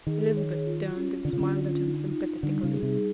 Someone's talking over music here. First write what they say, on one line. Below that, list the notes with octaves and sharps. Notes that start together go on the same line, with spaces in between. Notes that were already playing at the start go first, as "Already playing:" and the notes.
Elizabeth turned and smiled at him sympathetically.
D#3 G#4
C#5
F4
C#4
D3 F4
C#3
D3
F4
D#4
D#4
D3 G3
C#3
G#4
C3